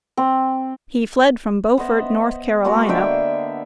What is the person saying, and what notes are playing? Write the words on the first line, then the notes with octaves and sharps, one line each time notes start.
He fled from Beaufort, North Carolina.
C4
B3 C5 D#5 E5
G#3 A#3 B3 F#4
D3 E5 G5